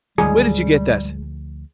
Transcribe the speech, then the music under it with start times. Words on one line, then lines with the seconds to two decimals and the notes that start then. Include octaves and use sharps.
Where did you get that?'
0.18 D2 G#2 D#3 F3 G3 G#3 G#4